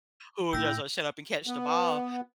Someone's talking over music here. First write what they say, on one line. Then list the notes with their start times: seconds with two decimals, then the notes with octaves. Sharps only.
who are just, like, "Shut up and catch the ball,"
0.53 A2 E4 G5 E6 A#6
1.47 B3